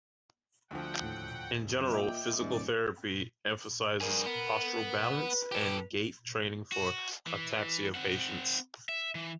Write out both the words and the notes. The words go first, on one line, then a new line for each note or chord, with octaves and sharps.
In general, physical therapy emphasises postural balance and gait training for ataxia patients.
D2 D3 F3 F#5 G5
D#2 A2
F#2 C3
A#2 D#5 E5 G5 D6
D#1 G#2 D5
G2 G#4 A#4
B3
B4
G4 A4
F#4
E3
C4 F#5
E5
E3